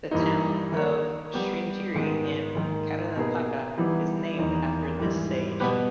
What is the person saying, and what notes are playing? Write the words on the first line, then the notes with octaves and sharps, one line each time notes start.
The town of Sringeri in Karnataka is named after this sage.
G2 E3 A#3 D#4
D#3 A#3 D#4 A#4 C#5
G3 B3 G4
G#2 D#3 G#3 B3
G#2 D#3 A#3
B2 A#3 D#4 G#4 B4
E3 G3 B3 D#4 G4
E2 D#3 A#3 D#4
G#2 E3 G3
B2 G3 B3 G4 B4